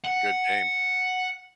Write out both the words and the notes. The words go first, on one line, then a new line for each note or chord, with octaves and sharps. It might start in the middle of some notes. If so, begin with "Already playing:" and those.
good game.
F#5